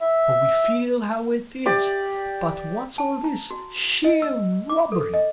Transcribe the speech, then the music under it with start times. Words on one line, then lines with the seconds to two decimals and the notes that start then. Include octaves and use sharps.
For we feel how it is; but what's all this--sheer robbery!
0.01 E5
1.66 G4 D5
2.98 A5
3.24 A#5
3.50 F#4
4.04 D#5
4.22 E6
4.69 D6
4.92 A4
5.14 D#5